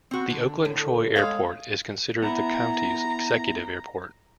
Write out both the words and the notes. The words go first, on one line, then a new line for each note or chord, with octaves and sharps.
The Oakland-Troy Airport is considered the County's 'executive' airport.
C4 F#4
D3
A2
G#3 C#5 F5
B3 E4 A#5